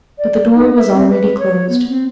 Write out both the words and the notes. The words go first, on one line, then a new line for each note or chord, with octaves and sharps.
But the door was already closed.
D5
D#4
E5
C4
B4
C#5
B3
C4